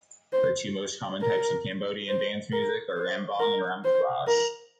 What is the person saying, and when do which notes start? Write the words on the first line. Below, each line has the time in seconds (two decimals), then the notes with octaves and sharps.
The two most common types of Cambodian dance music are ramvong and ramkbach.
0.33 C5
1.21 A#4
2.08 C5
2.52 A#4
2.96 C5
3.40 A#4
3.84 C5
4.27 A#4